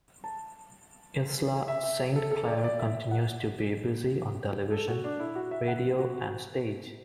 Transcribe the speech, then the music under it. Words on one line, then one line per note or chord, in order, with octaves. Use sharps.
Isla Saint Clair continues to be busy on television, radio and stage.
A5
E5
E5
A4
A4
D5
D5
E5
F#5
A4
F#4
D4
E4
F#4
E5
F#5
F#4